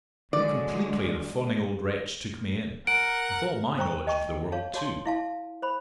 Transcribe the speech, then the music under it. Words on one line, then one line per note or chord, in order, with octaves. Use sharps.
How completely the fawning old wretch took me in--with all my knowledge of the world, too!
D3 F#3 G#3 D5
A#4 F#5 D7
C5 G5 A#5 C#6
D#5 G5 A5 C#6
C#5 F5 A5
F#4 C#5 A5 C6
E4 F5 A5
C5 B5